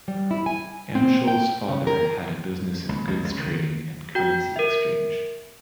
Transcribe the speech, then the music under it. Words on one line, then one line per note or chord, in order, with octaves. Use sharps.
Amschel's father had a business in goods-trading and currency exchange.
G3
E4
G#5
C4
G5
C#3
A#4
C#2
C#2
C#2
D#3
F#4 G5
A#4 E5